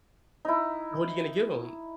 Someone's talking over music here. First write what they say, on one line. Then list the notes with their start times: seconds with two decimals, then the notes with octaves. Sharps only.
So what are you gonna give 'em?
0.45 D#4 E4